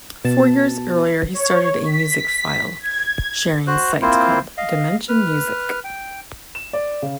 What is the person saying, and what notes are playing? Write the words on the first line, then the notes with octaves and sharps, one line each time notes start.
Four years earlier, he started a music file-sharing site called Dimension Music.
B2 A5
C#5
B6
G#6
F#4 C5 F#6
A#3 C4 E4 F4 C5
D#5 F5
B4 F6
G5
E7
D5
C#3